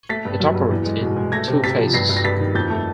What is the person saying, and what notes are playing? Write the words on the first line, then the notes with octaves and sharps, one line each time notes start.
It operates in two phases.
A3 A6 B6
G2
F#3
G2
E2
G#3
B2
G#3
A3 G#6 A#6
C3
C3 A6 B6
F3
G2 A#6 C7
G2
A#6
G2 A6 B6
D#3
F2 G6 A6
A3